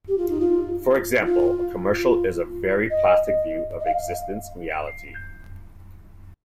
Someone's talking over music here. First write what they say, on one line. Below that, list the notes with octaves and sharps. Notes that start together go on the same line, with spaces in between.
For example, a commercial is a very plastic view of existence and reality.
G4
F4
D#4
F4
D#4
F4
F4
D#5
D#5
F5